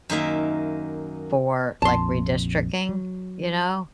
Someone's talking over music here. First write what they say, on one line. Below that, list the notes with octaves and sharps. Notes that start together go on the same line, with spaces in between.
for, like, redistricting, you know,
F#2 D#3 A#3 E5
A#1 F2 A5 C6
F#3